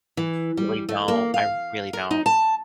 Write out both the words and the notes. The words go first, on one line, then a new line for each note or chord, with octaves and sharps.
Really don't, I really don't.
E3
G3
A3
A#3
F5
A#4
D#4
A5